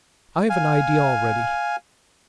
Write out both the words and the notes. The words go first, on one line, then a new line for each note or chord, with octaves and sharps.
I've an idea, already.
F5 G#5